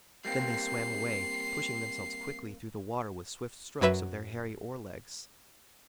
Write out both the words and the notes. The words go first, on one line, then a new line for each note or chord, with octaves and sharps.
Then they swam away, pushing themselves quickly through the water with swift strokes of their hairy oar-legs.
G3 A#3 C4 C7
F#2 F#3 B4 E5 E7